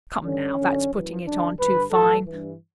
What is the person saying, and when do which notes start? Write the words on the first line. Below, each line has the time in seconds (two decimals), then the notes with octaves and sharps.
Come, now, that's putting it on too fine.
0.22 G2 D3 C#4
0.57 F#2 D3
0.90 F#2 E3
1.24 F#2 D3 D4
1.58 G2 D3 B4
1.92 A2 E3 A4
2.26 G2 E3